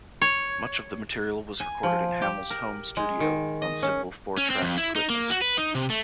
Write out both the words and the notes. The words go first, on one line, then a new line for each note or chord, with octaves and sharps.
Much of the material was recorded in Hammill's home studio on simple four-track equipment.
C#5
G#5
F3
G4
A#4
G#3
D#3
D#5
C#4
C#4
C4
F2
E4
D#4
A#3
F#4
B4
D#4
C3
A3